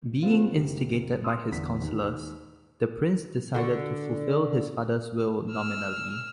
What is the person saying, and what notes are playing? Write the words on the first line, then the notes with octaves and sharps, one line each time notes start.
Being instigated by his councilors, the Prince decided to fulfill his father's will nominally.
G#3 B3 C4 F4
F#1 G4
C6 D#6 E6
G1 E2 B6
D#2
D3 F#4
E6 F6